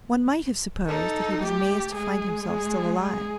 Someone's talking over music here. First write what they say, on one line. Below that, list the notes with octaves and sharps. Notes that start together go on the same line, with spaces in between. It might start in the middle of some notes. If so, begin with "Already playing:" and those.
One might have supposed that he was amazed to find himself still alive.
D#4 A4
A3 G4
G#3 G#4
G#4
G#4